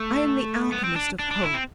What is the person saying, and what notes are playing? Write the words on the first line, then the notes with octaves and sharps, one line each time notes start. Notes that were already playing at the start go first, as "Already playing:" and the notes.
I am the alchemist of hope.
Already playing: A3
B3
C4
D4
D4
D4
E4
C4